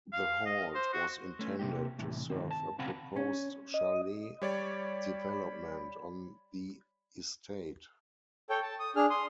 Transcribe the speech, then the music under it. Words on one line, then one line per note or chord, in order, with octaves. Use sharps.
The halt was intended to serve a proposed chalet development on the estate.
F5
D#5
C5
F#4
A3 C#4
C3 A#3 G4
A2 C3 E3
G2 D#3 C4
A5
B1 C#3 C4 F5 F#5 B5
C#4
D#5
G3 C#5 D5 B5
A4 C#5 G5
A5
D#6
D4 G#4 F6
C6 D#6